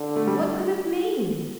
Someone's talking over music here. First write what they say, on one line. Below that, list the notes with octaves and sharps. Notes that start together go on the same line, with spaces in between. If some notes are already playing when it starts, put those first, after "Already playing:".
What could it mean?
Already playing: D3
A3
G3